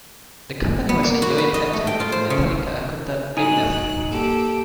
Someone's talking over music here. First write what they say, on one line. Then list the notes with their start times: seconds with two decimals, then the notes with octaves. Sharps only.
The company was a joint venture with Metallica accountant Tim Duffy.
0.89 B3
1.03 A#3
1.22 F#4
1.38 B4
1.54 D#5
1.73 A3
1.87 G5
2.00 F4
2.12 C5
2.30 C#3
3.37 F#3 D#4 G#5 F#6
4.08 A#3 G4 A4